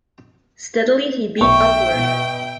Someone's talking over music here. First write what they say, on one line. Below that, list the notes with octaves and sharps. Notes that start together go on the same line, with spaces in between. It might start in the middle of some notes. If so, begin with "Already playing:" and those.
Steadily he beat upward.
B1 E5 G5 C#6
B2